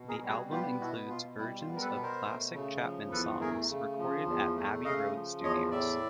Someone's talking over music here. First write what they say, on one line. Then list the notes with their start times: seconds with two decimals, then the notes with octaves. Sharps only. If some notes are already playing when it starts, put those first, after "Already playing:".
The album includes versions of classic Chapman songs recorded at Abbey Road Studios.
Already playing: B2
0.08 G#4 A#4
0.22 G3
0.29 F#4 G#4
0.51 B3 F4 G4
0.80 B2 E4 F#4
1.10 B2 F4
1.38 G3 E4
1.60 F4
1.67 B3
1.76 A#4
1.81 A4 B4
1.95 B2
2.03 A#4 C5
2.25 A3
2.53 C#3
2.83 F3
3.12 E2 A4 B4
3.40 A3 G#4 A#4
3.69 C#3
3.99 F3
4.27 E2
4.56 A3
4.84 C#3 D#5 F5
5.14 F3
5.43 E2 C#5 D#5
5.71 A2 D5 E5